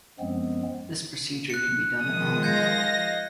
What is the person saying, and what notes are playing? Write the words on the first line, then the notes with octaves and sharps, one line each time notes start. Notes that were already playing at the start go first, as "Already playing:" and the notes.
This procedure can be done at home.
F#2 F3 G#3 B3 C4
F#6 C#7
D#3 F3 G#3 D#6
D#5 F5 G6 G#6 A#6 C#7